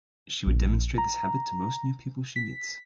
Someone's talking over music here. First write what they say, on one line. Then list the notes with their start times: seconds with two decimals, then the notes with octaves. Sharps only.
She would demonstrate this habit to most new people she meets.
0.46 A#1
0.98 A#5
2.36 B6